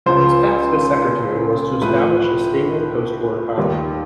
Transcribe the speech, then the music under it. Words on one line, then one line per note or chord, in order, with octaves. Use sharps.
His task as Secretary was to establish a stable postwar economy.
C#2 C#3 F3 C5
A2 F3 B4
D#2 D#3 G3